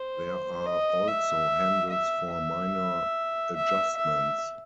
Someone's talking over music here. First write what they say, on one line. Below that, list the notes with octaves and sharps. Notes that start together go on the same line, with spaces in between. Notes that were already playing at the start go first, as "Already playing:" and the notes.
There are also handles for minor adjustments.
Already playing: C5
D#5
E5
E5
E5
E5
E5